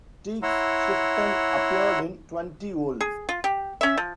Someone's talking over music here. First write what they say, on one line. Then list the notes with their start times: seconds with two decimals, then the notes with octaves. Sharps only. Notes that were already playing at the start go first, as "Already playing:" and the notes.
Tieck's "Schriften" appeared in twenty vols.
0.43 E4 C#5 F#5 A#5 C6 E6
3.01 G#4
3.29 F4
3.44 G4
3.81 C#4 E5
3.97 F3